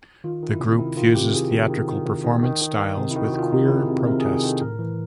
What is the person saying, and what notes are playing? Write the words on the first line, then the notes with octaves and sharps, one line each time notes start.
The group fuses theatrical performance styles with queer protest.
D#3 F4
D#3
E4
C3
D#3 E4
D#3 F4
C3 G4
D#3 G#4
D#3
D#3
D#3
D#3
D#3
D#3
D#3
D#3
C3 D#4
E4
D#3
F#4
D#3 F4
C3 D#4
E4
D#3
G#4
C3
C3 A#4
G#4
D#3
G#4
D#3 A4
A2 A#4
E3